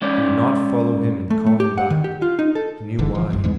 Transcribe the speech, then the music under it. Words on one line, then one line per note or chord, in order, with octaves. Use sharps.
He would not follow him and call him back, he knew why.
G#3 C#4 C#5 D5
A3
A3
G4
F#5
D#3
G4
F4
D#4
A4
F#1 D3 E3
G1 E3 F3
G1 C2 F#2
E2 G#2 E3 G#3